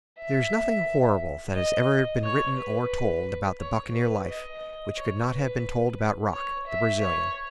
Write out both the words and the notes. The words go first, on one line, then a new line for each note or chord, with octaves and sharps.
There is nothing horrible that has ever been written or told about the buccaneer life, which could not have been told about Roc, the Brazilian.
E5
D#5
C#5
B4
C#5
B4
D#5
C#5
B4
C#5
E5
C#5